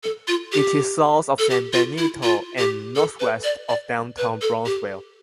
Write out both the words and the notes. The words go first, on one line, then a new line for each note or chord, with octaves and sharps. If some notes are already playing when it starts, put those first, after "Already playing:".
It is south of San Benito and northwest of downtown Brownsville.
A4
F4
G4
A4
G4
F4
E4
F4
G4
A4
B4
D5
D5
B4
A4
G4